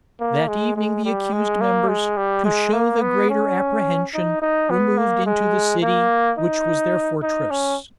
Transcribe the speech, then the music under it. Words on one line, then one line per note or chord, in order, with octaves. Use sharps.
That evening the accused members, to show the greater apprehension, removed into the city, which was their fortress.
A#3
G#3
G#3
G3
G#3
A#3
G#3
G3
G#3
A#3
B3
C#4
D#4
D#4
B3
A#3
G#3
A#3
D#4
D#4
C#4